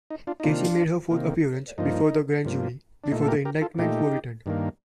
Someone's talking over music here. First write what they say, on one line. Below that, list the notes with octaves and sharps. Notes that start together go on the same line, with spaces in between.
Casey made her fourth appearance before the grand jury before the indictments were returned.
D#4
D4 F4
D#4
C3 D#3 A#3 D4 F4
C3 D#3 A#3
G2 F3 A#3 D#4
G2 F3 A#3
D4
A#2 A3 D#4
A4
G4 A#4
G4 A#4
F4 A4
A#2 A3 D#4 G4
G2 D#3 A#3